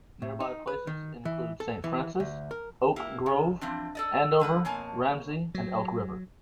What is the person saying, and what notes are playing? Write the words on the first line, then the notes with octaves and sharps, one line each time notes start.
Nearby places include Saint Francis, Oak Grove, Andover, Ramsey, and Elk River.
A2
D#4
B4
D#3
E3
A4
E3
D2
A#4
A#3 E4 G4
C#3
E3 F3 C4 D4
A4 D5 D#5
D3 G3 B4 F#5
F2 B2 A#3 C#5 G#5 A5
F#3